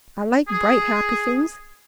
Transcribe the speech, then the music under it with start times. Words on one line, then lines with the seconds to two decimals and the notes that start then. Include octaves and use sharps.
I like bright, happy things.
0.48 G#4